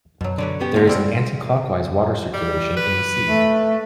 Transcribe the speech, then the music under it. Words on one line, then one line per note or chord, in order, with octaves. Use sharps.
There is an anticlockwise water circulation in the sea.
F#2 B2 F#3
D3 B4 C#5 D5
B3 C#4 G4
D3 G#3 A#3 F4
G3 C4 D4 F4 D5
G3
B4
A3